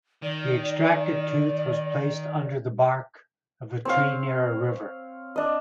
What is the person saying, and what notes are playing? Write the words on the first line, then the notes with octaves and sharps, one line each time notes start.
The extracted tooth was placed under the bark of a tree near a river.
D#3 D5
C4 C#5 F5
D4 D#5